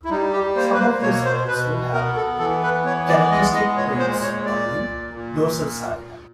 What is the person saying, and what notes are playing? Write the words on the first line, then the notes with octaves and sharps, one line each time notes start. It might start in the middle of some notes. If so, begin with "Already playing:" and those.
Some of these rings will have characteristic plates on the dorsal side.
E4
G3 D#4
G4
A#3 C5
B4
C5
B2 C#5
C5
B2 B4
B3 A#4
A4
E3 A4
B4
B3 C#5
D5
G#3 D#5
D#5
A#2 C#5
C5
A#2 C#5
D5
A#2
A#2